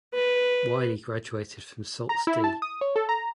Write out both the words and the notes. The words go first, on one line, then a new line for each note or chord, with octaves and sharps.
Wiley graduated from Sault Ste.
B4
A#5
E4
A5
D#6
C#5
A4
A#5